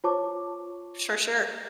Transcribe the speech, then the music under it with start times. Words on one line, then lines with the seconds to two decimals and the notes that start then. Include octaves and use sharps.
For sure.
0.04 F4 C5 C#5 A5 C#6 D6